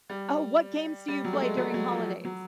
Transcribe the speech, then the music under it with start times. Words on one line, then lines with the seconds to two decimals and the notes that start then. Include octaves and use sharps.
Oh, what games do you play during holidays?
0.10 G3
1.08 G3
1.24 F#3
1.33 A3
1.42 G#3
1.57 F#3
1.74 F#3
1.91 F3
2.25 F#3